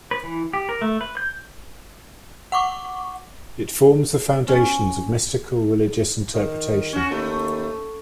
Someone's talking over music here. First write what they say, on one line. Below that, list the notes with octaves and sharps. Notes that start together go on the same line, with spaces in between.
It forms the foundations of mystical religious interpretation.
B4
E3
G4
A#4
A3
B4
G6
F#5 C#6 D6
C#4
D#3
C#4 F#4
D#2 A3